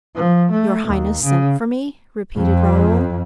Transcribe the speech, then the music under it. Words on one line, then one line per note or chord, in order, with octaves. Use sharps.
"Your highness sent for me?" repeated Raoul.
F3
A3
D#2
C#3
F2